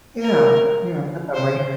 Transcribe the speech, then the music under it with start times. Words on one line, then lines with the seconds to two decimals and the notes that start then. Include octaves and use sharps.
Yeah, yeah, definitely.
0.21 A#4
1.35 C5